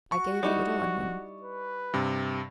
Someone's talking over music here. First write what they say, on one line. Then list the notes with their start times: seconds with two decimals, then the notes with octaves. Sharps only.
I gave a little onion.
0.12 F#4 C#6
0.43 G3 D#4 E4
1.42 B4
1.94 G2 C3